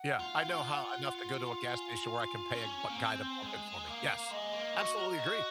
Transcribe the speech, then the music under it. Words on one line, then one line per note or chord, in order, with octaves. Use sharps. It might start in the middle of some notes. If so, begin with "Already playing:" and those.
Yeah, I know how enough to go to a gas station where I can pay a bu guy to pump it for me. Yes, absolutely agree.
Already playing: F#5
F4
F4
G#5
C#4
A#3
C4
G#3 G#5
A#3 F5
G#3 D#5
A#3
F#4
A#4
F#4